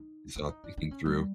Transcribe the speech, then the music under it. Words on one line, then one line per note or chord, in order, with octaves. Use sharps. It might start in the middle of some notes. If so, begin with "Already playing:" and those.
it's all thinking through,
Already playing: D#4
E4
D#4
D4
D4
C#4
G3